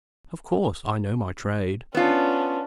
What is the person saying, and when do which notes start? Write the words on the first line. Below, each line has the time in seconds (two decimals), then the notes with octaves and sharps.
Of course I know my trade.
1.95 B3 C#4 D4 F4